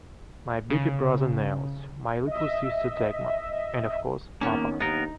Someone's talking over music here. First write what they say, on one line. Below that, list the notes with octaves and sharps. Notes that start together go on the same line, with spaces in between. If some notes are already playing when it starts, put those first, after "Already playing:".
My big brother Nels, my little sister Dagmar, and of course, Papa.
C#3
D#5 E5
D#3 A#3 B3 C#4
D#2 B3 D#4 A#4